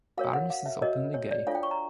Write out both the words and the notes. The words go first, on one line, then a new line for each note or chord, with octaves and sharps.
Barnes is openly gay.
F#4 A#4 C#5 F5
F#5
F5
E5
F#4 A#4 C#5 D#5
C#5
D5
D4 F4 A4 C#5 F5
G5
C#6
A#5